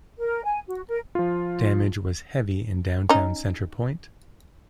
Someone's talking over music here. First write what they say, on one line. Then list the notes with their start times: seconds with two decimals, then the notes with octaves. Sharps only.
Damage was heavy in downtown Center Point.
0.19 A#4
0.44 G#5
0.67 F#4
0.88 A#4
1.15 F3 F4
3.09 C#4 D#4